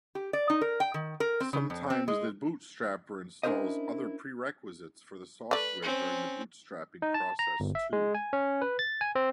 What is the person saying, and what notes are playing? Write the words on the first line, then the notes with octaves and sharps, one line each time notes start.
Sometimes the bootstrapper installs other prerequisites for the software during the bootstrapping process too.
G4
D5
D#4
A#4
G5
D#3
A#4
C4
C#3
F2
C4
G#3
C#4 D4 E4 A#4 C5 D#5
A3 B4 D5
C4 C#4
D#4
A5
A#5
G1
E5
G#3
G#5
C#4
B4
A6
G#5
C4